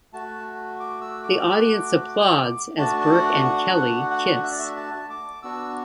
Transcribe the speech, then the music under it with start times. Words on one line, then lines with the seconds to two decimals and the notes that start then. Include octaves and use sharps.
The audience applauds as Berke and Kelly kiss.
0.13 A3 F#4 A5
0.80 D6
1.01 E6
1.23 D6
2.77 A3 D4 F#4 A5
3.01 A5
3.12 F#5
3.45 F#5
3.77 F#5
4.10 F#5
4.43 E5
4.52 D5
4.59 E5
4.77 A5
5.10 D6
5.42 B3 D4 F#4 E6